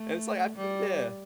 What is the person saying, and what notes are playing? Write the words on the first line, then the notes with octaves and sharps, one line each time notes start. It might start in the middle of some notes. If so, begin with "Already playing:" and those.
And it's, like, I f Yeah.
Already playing: A3
G3